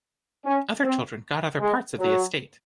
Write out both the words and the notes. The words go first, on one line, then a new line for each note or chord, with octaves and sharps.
Other children got other parts of the estate.
C#4
C4
G#3
F#3